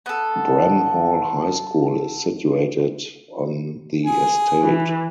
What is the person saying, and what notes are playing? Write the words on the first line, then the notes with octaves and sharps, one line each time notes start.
Bramhall High School is situated on the estate.
B3 A4
G#4
E3